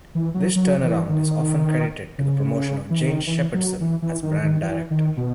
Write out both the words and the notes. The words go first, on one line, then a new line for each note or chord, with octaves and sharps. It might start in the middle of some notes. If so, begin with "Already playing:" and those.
This turnaround is often credited to the promotion of Jane Shepherdson as brand director.
E3
F#3
F#3
E3
D#3
C#3
E3
D#3
E3
F#3
E3
E3
D#3
D#3
E3
D#3
B2